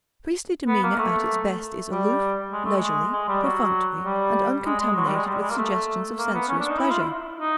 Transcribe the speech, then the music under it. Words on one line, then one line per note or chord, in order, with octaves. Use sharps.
Priestly demeanor at its best is aloof, leisurely, perfunctory, and uncontaminated with suggestions of sensuous pleasure.
B3
A#3
A3
G3
G#3
A3
G#3
G#3
G3
F#3
G3
G#3
G#3
F#3
G3
G#3
G3
G#3
A#3
A3
A#3
B3
C#4
D4
D#4
E4
F4
E4
D#4